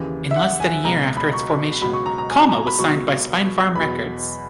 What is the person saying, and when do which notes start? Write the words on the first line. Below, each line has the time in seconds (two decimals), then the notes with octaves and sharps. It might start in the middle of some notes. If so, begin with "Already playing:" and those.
In less than a year after its formation, Kalmah was signed by Spinefarm Records.
Already playing: D#2 C#3 E3
0.31 E5
0.36 F#5
0.60 G#5
0.84 C#2 B2 F#3 A#5
1.17 B5
1.33 C#6
1.81 C#2 B2 F#3 B5
1.93 C#6
2.06 A#5
2.18 A#5
2.30 G#5
2.42 A#5
2.54 A#5
2.67 B5
2.79 C#2 B2 F#3 C#6
3.75 E2 B2 F#3 B5